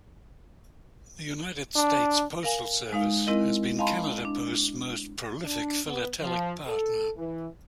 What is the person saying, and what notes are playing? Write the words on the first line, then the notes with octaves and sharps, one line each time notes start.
The United States Postal Service has been Canada Post's most prolific philatelic partner.
D4
A#4 F5 G#5
G#3 D#4 F5
G#3 C4 E4 A#4 D#5
D#5 F5 G#5 A5 B5 C6
D4
D4
B3
F3
A4
E3